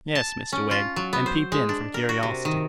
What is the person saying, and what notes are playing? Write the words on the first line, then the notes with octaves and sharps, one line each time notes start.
'Yes, Mr Wegg, and peeped in from curiosity.'
A5
C#4
F4
F#3
B3
C5
G#3
D4
A#4
F#4
C3
D#3